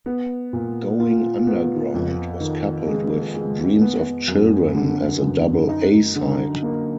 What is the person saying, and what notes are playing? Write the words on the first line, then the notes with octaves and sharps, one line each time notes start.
"Going Underground" was coupled with "Dreams of Children" as a double A side.
B3
A#2
F4
B3
F2
D#3
G#3
G#3
B3
F#2
D3
F#2
D#4
D3
A#3